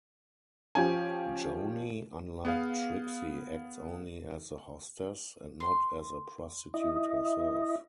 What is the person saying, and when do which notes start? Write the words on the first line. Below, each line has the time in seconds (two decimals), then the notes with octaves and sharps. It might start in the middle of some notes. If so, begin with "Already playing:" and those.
Joanie, unlike Trixie, acts only as the hostess, and not as a prostitute herself.
0.75 F3 C#4 G4 G#5
2.45 B3 G#4 F5
5.60 C6
6.74 E4 D#5